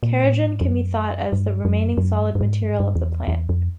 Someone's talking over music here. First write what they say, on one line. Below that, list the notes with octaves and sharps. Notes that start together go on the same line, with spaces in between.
Kerogen can be thought of as the remaining solid material of the plant.
A#2
A2
G#2
F2
F#2
G2
F#2
F#2
G2
G2
G#2
G2
G#2
G2
E2
E2
F2